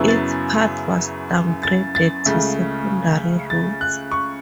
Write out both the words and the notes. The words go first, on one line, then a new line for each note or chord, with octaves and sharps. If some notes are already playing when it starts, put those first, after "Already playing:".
Its path was downgraded to secondary roads.
Already playing: F#2 C#3 F#3 B3 E4
A6
A6
A6
C#2 C#3 A3
A6
F#6
C#6